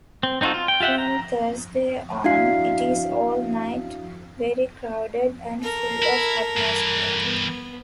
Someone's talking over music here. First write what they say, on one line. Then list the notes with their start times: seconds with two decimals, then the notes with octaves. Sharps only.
From Thursday on, it is all night very crowded and full of atmosphere.
0.23 C4
0.41 C4 D#4 F4 F#4 A4
0.54 F4
0.68 G5
0.80 F4 G4 E5 F#5 G5
0.98 A#5
2.24 D4 E4 F#4 F5 C7
5.61 A4 A#4
6.03 E4
6.57 G2 E3
7.23 B3